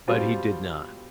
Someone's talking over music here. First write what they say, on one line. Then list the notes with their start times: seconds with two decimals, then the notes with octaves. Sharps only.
But he did not.
0.08 B2 G3 C4 F4